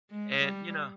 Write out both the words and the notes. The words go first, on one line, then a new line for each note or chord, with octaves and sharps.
and, you know
G#3
G3